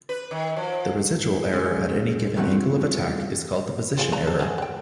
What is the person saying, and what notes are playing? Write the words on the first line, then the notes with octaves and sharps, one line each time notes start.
The residual error at any given angle of attack is called the position error.
B4
D#3
F3
G#3 C#4
G2 E3 A3 C4 F4 F#5
C4 F4 G#4
B4 D5 A#5
G#4 A4
D3 A3 G#4
F#5 G5